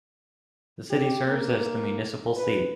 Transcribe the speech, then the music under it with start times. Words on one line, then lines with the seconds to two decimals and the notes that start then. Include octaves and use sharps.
The city serves as the municipal seat.
0.91 G4
1.26 A#3
2.36 B4